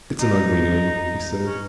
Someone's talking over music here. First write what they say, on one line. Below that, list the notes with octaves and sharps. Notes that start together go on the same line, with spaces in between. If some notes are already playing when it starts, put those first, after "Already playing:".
"It's an ugly name," he said.
D#4
C#4